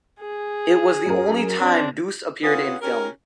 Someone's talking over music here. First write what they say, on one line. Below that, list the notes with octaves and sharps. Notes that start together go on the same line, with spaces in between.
It was the only time Duse appeared in film.
G#4
F#2 A#4
C4 D4
C#4 F4 G#4 B4 F#5
C#4 G4 A#4